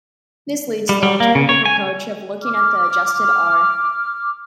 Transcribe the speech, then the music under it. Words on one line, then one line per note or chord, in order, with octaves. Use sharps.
This leads to the alternative approach of looking at the adjusted "R".
G3
G3
A#3
C#3
C#5
G#5
D6 F6